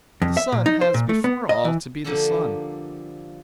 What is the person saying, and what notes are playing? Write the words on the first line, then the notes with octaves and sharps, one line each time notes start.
The sun has before all to be the sun.
F2
E5
A#2
D#4
C5
A#2
A3
B3
D#5
E3
D3 F3 G3 A#3 D4 A4